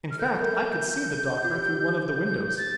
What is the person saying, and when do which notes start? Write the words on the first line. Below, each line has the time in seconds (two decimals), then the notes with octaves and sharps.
In fact, I could see the Doctor through one of the windows.
0.11 F6
0.19 A4 G6
0.41 A#4
0.65 A#4
1.44 F4
1.55 G4
2.23 G6
2.47 G6
2.58 A6